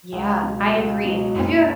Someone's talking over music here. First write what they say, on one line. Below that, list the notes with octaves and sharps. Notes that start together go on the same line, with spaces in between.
Yeah, I agree. Have you ev
C#2
B2 F#3
C#2
B2 F#3
F#1